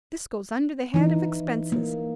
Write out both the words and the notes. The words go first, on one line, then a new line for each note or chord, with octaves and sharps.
This goes under the head of expenses.
E3 D#4
A#3